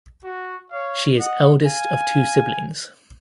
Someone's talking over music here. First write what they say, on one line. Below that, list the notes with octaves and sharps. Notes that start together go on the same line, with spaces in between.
She is eldest of two siblings.
F#4
C#5 F5
D#5 F#5
F5 G#5